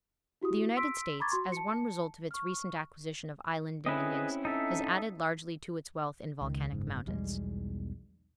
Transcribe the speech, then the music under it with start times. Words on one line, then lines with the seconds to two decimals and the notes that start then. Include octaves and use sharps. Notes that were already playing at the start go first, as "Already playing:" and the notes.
The United States, as one result of its recent acquisition of island dominions, has added largely to its wealth in volcanic mountains.
0.42 E4 F#4 G4 D#6
0.77 C6 E6 B6 D7
1.20 A#5 B5 C#6 D6 G#6 A6
1.31 F#4 C6
1.52 A5 C#7
2.31 C#6 F6
3.86 C4 C#4 E4 G#4 B4 D#5
4.45 D#4 A4 E5
6.41 C#2 D#3
6.72 F#1 G#2
7.07 B1 E2 G3 G#3